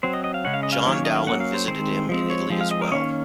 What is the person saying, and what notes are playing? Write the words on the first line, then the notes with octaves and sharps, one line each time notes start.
John Dowland visited him in Italy as well.
F#3 C4 C5
D#5
D#5
F5
C#3 G#3 C#4 F#5
F5
D#5
F5
D#3 F#3 A#3 C#4
C#5
D#5
F5
F#3 A#3 C#4 F#5
F5
C5
D#3 G#3 C4 C5
F3 G#3 C4
C#5
F3 G#3 C4
F5
D#5
A#4
D#5
D#3 A#3 C#4 C#5